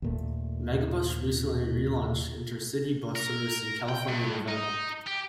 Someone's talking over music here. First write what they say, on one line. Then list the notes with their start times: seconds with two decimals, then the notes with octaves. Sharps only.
Megabus recently relaunched intercity bus service in California and Nevada.
0.02 D#2 A#2 A3
3.16 A#4
3.88 G5
4.08 G2
4.48 D#4 D#5
5.06 G4